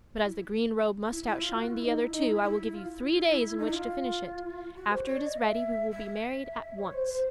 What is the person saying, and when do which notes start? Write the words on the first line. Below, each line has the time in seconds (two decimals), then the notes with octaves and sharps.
But as the green robe must outshine the other two I will give you three days in which to finish it. After it is ready we will be married at once.'
0.24 E4
1.11 E4
1.26 E4
1.41 F4
1.55 F#4
1.63 F4
1.70 E4
1.83 D#4
1.99 E4
2.13 D#4
2.28 E4
2.43 E4
2.64 E4
2.73 F4
2.84 E4
3.58 D#4
3.67 E4
3.74 F4
4.75 F#4
4.90 C5
5.05 C#5
5.15 D5
5.26 D#5
5.37 E5
5.91 E5
6.78 C#5
6.93 C5
7.09 C5